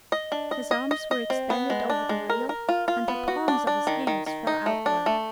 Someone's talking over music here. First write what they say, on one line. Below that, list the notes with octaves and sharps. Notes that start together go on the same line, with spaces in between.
His arms were extended over the rail, and the palms of his hands fell outward.
D#5
D4
D#5
D#5
D#5
D#5
C4
B3
G#3
D4
G#3
A#4
A#4
F4
F4
B3
F#4
D4
D4
D#3
D#3
D#3
D#4
A3
D4
A3